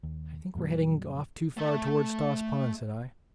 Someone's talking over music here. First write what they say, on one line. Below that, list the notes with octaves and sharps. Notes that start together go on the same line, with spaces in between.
"I think we're heading off too far toward Stoss Pond," said I.
D#2
F2 A#2 F#3 G3
A3 E5